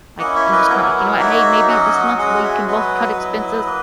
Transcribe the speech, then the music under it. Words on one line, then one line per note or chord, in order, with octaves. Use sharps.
like, and just kinda, like, "You know what, hey, maybe this month, we can both cut expenses,"
A#3 C#4 E4 D#5 F#5
C#5 E5
B4 D#5
F#3 B3 E4 A#4 C#5
A#3 D#4 F#4 C#5 E5
F#3 C#4 F#4 D#5 F#5
G#3 C#4 F#4 D#5 F#5
C#5 E5
F#3 B3 F#4 B4 D#5
F#3 B3 E4
A#3